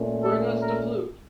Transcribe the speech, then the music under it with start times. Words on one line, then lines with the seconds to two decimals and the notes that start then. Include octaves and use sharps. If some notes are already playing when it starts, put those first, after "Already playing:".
Bring us the flute!
Already playing: A#2 A3 C#4
0.23 A4
0.62 A#4